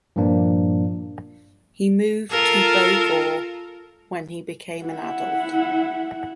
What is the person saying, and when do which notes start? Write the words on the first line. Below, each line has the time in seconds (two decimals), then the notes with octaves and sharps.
He moved to Bogor when he became an adult.
0.16 G2 A#2 F3 A#3 D4
2.30 F4 A4 A#4
4.85 E4 F#5